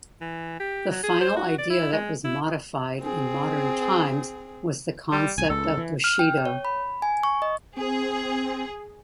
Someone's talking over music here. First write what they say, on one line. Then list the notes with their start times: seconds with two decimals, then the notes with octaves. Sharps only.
The final idea that was modified in modern times was the concept of Bushido.
0.21 E3
0.60 G4
0.91 F#3
1.03 G#4
1.21 C5
1.37 F#4
1.58 D5
1.70 E4
1.93 G#3
2.25 E4
3.01 C4 G#4
5.12 G3
5.38 C2 G#5
5.50 C#2 A4
5.77 E3
6.04 F6
6.19 G5
6.45 C#5
6.65 B5
7.02 G#5
7.23 C#6
7.42 D#5
7.77 C4 G#4